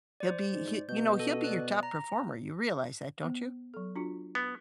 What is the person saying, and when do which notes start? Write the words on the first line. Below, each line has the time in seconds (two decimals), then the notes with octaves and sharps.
He'll be he you know, he'll be your top performer, you realize that, don't you?
0.20 C5 D5
0.53 G#2
0.89 B2 G6
1.20 A4
1.44 D5 F#6
1.83 A#5
3.21 B3 C5
3.74 F#3 A4
3.96 D4 F4 F#4
4.35 B3